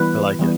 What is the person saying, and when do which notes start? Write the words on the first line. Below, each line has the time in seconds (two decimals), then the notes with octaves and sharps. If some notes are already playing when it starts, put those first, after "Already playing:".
I like it.
Already playing: E3 G3 B3 B4
0.39 E3 G3 B3